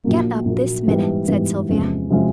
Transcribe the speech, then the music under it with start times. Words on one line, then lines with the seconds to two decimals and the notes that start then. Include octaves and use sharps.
"Get up this minute," said Sylvia.
0.04 A#1 A#2 F#3 A#3
0.45 A#1 A#2 F#3 A#3
0.87 G#2 E3 G3 B3
1.27 G#2 E3 G3 B3
1.69 E2 C3 F3 G#3 C#4
2.10 C3 F3 G#3 C#4